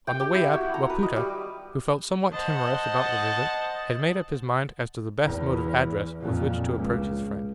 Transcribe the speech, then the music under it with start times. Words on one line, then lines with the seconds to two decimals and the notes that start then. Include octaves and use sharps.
On the way up, Wapoota, who felt somewhat timorous about the visit, had made up his mind as to the best mode of address with which to approach his friend.
0.07 G5
0.20 G4
0.34 E4
0.53 F#4
0.74 A#5
0.90 B4
1.03 D#5
1.16 G3
2.33 C5 D#5 F#5 A5
5.24 E2
6.20 F2 A#2
6.71 C#2